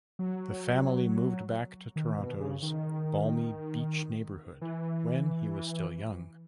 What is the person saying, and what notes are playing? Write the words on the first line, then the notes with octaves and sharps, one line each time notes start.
The family moved back to Toronto’s Balmy Beach neighbourhood when he was still young.
F#3
D#3
B2
C#3
D#3
E3